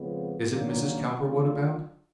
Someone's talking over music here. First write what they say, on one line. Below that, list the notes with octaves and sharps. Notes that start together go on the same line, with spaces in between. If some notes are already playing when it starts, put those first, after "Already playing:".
"Isn't Mrs. Cowperwood about?"
Already playing: F2 C#3 F3 G#3 B3
D#3 F#3 A#3 D4
D#3 F#3 A3 D4 F4